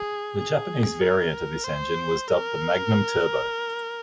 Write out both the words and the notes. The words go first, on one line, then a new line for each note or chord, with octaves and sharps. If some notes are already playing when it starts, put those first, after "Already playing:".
The Japanese variant of this engine was dubbed the "Magnum Turbo".
Already playing: G#4
G#4
A#4
C5
A#4